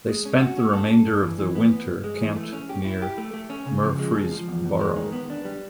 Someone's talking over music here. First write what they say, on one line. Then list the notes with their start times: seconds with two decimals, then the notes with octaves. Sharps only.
They spent the remainder of the Winter camped near Murfreesboro.
0.09 G#3
0.26 C#4
0.41 F#4
0.57 C#4
0.73 A4
0.90 A4
1.06 G2
1.23 E3
1.39 E3
1.55 B3
1.71 B3
1.88 G2
2.04 G#3
2.21 E3
2.36 A3
2.53 C#4
2.69 G4
2.85 E4
3.02 G4
3.18 A3
3.34 A3
3.50 C#4
3.66 C#3
3.83 F3
3.99 G#3
4.15 F3
4.32 F3
4.48 E2
4.64 E2
4.80 G#3
4.96 D#3
5.12 B3
5.30 D4
5.45 G3